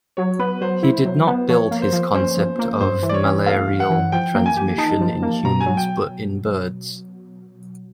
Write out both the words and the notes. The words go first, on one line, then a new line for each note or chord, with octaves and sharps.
He did not build his concept of malarial transmission in humans, but in birds.
F#3 C#5
B3 B4
F#3 C5
E4
F#3
B3
F3 C#5
A#3
C5
F3
C#4 C5
F3
A#3
G2 C5
E3
D5
C#5
C#4
A3 F5
G2
F#5
E3
F3 G5
A#3
G#5
G4
D#4 A5
F3
A#3
B2 A#5
G#5
F#3
G5